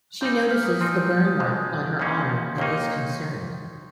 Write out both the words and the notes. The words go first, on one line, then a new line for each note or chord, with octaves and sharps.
She notices the burn mark on her arm and is concerned.
A#2 G3 C4 D#4 G6
G6
F6
D#6
A#2 F3 C4 D#4 F6
G6
G6
D#6
F2 C#3 G#3 D#6
D#2 C#3 F3 A#3 C#4 C6
D#2 D#3 A#3 D#4 C#6